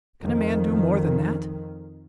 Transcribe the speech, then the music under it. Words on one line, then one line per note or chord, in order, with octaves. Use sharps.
Can a man do more than that?
F2 D#3